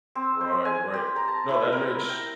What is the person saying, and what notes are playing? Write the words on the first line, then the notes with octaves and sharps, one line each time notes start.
Right, right. No, that makes
C4
C5
G#5
G4
A#5
A5
E4
A#4
G5